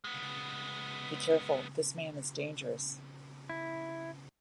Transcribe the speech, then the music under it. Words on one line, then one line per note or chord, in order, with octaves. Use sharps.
Be careful, this man is dangerous.
G#3 B3
E4